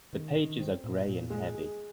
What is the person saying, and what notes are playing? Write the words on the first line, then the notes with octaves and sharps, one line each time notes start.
The pages are gray and heavy.
D#3
D#3
C4
A#2
A#2
G#3 G#4
G#4